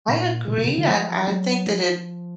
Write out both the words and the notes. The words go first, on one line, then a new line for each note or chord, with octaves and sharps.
I agree I I think that it
A#2
A#2
B2
C3
D3
F3
F#3
F3